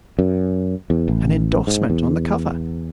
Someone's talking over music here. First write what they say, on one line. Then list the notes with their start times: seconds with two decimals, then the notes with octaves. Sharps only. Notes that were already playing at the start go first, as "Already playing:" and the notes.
An endorsement on the cover!
0.19 F#2
0.90 E2
1.08 A1
1.67 G#2
1.90 E2